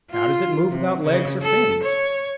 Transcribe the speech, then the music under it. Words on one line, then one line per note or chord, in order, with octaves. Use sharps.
How does it move without legs or fins?
F4
C3
C#3
A4
C#5